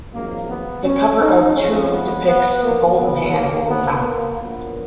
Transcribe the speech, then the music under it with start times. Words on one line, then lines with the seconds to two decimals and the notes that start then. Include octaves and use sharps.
The cover of "Two" depicts a golden hand holding an apple.
0.13 G#1 F#2 F3 G#3 A#3
0.49 B3
0.84 C#4
1.19 D#4
1.55 F2 F3 G#3 C#4
1.90 B3
2.26 B3
2.62 A#3
2.96 C#2 B2 A#3 B3
3.33 A#3
3.68 B3
4.03 A#3
4.39 A#1 A#2 F#3 A#3 B3